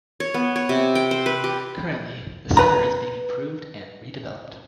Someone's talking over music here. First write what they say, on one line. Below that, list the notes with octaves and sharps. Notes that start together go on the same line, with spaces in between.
Currently, the centre is being improved and redeveloped.
C#5
B3
C#5
C3
G5
C5
B4
G4
B4 A#5